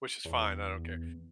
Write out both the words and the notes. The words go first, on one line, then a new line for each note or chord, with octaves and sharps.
which is fine, I don't care,
E2